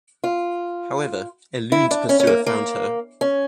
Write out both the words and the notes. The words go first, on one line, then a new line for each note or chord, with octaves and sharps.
However, Eluned's pursuer found her.
F4
E4
D4
C#4
C#4
A#3
A#3
C#4